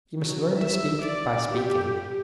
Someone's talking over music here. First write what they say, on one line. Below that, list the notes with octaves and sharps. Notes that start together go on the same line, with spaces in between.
You must learn to speak by speaking.
F#3
E5
D5
G4